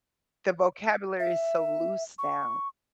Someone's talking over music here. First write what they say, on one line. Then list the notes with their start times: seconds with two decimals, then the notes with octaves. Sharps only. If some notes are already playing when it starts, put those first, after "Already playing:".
the vocabulary is so loose now.
1.20 E5
2.18 C#6